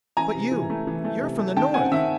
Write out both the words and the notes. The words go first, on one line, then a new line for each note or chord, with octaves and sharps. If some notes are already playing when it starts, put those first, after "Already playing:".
"But you--you're from the North."
E3 G#5 A#5
C3
E3
A3
E3
A3
C3
A3
D#3 G5 A5
C4 F#5 G#5
D#3 E5 F#5